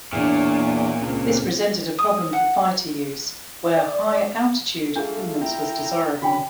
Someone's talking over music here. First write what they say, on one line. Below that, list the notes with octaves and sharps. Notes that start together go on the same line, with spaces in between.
This presented a problem for fighter use, where high-altitude performance was desirable.
E2 A#2 A#3 D4 C#5
C#2 C4
D#6
F#5
D5
A3 D4 F4 G#4
E4 G5 A#5
D3 C#4 F#4 G5 G#5 B5